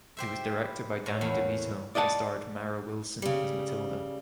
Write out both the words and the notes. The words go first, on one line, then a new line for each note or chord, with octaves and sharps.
It was directed by Danny DeVito and starred Mara Wilson as Matilda.
G4 C5 E5
E3
A2 C5 C#5 F#5
E2 A#3 B3 C#4
D5 D#5 F#5 A5
C#3 G3